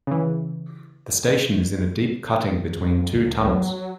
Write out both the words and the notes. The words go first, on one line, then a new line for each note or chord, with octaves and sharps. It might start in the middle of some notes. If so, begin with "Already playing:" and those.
The station is in a deep cutting between two tunnels.
C#3 E3
F2
C#2
F#3